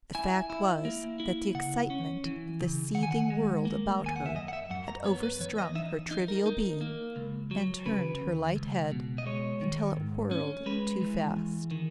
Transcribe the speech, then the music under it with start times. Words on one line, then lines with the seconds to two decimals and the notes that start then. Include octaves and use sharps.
The fact was that the excitement of the seething world about her had overstrung her trivial being and turned her light head until it whirled too fast.
0.15 E4 G#5
0.50 E4
0.85 A#3
1.20 E4
1.55 C#3 F#5
1.90 C#4
2.25 E3
2.61 C#3
2.95 D#3 F#5
3.03 G#5
3.11 F#5
3.30 G#3
3.65 A#3
4.00 D#2
4.06 G#5
4.16 F#5
4.26 E5
4.36 F#2 D#5
4.48 F#5
4.53 E5
4.70 F#2 F#5
4.88 A#5
5.05 B3 C#5
5.23 B4
5.40 E3 C#5
5.58 D#5
5.75 D#4 E5
6.11 D#4
6.28 A#4
6.46 D#4
6.81 A#3
7.16 C#2
7.51 F#3
7.86 C#3 B4
8.21 D#2
8.56 C#2
8.91 B2
9.18 D#5
9.26 G#3 C#5
9.61 D#3
9.96 G#2
10.31 C#4
10.66 G#3 B4
11.01 E3
11.36 E2
11.71 D#3